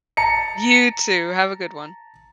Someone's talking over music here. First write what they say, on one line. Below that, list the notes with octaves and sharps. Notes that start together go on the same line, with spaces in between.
You too, have a good one.
A5 A#5 C#7